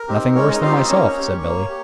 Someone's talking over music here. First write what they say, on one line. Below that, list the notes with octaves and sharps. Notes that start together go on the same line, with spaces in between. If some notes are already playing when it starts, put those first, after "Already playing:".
"Nothing worse than myself," said Billy.
Already playing: A#4
C4 D#4 G4
G#3 C#4 C#5
D#4 D#5
C4 D#4 F4 G4 F5
D#4 D#5
A#3 C#4 C#5
C#4 G4
A#3
G4